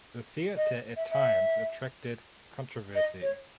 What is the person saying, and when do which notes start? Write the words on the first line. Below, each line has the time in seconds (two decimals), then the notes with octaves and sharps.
The theater at times attracted controversy.
0.57 D#5
0.96 E5
1.11 E5
2.95 D#5
3.22 C#5